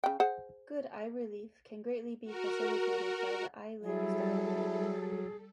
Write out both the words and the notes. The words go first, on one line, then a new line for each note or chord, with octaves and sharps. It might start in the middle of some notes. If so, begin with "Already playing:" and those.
Good eye relief can greatly be facilitated by the eye lens diameter.
C#3 G5
G#4 C5 F#5
F#4 A#4
F#3 G3 E4 G#4 A4